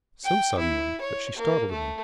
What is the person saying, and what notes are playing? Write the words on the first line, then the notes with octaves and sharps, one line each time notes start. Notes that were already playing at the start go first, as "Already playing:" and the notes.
So suddenly that she startled me.
G5
E4
C#5
A#3
A3